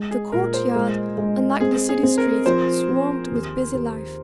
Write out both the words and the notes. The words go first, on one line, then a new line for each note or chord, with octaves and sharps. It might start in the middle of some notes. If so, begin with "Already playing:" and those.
The court-yard, unlike the city streets, swarmed with busy life.
Already playing: G#3
G#4
A#2 A#4
C5
G#3
G#3
C4 G#4
G#4
C4
A#4
F3 C5
F3
D#2
D#2